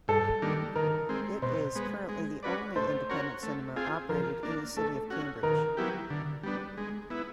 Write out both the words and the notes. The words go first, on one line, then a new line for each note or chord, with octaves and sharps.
It is currently the only independent cinema operated in the city of Cambridge.
G2 A4
D#3 G3 A#3 D4
D#3 A#4
G#3 C4
B2 C5
G#3 B3
G#3
C#4 F#4 B4 D5
A3 C5
C#4 F#4 A#4 C#5
A3
C4 F4 G#4
F3 A#4
A#3 D4
A3 A4
C#4 F#4
D#3 A#4
F#3 B3 E4 G4
D3
G3 B3 D4
G#3
B3 E4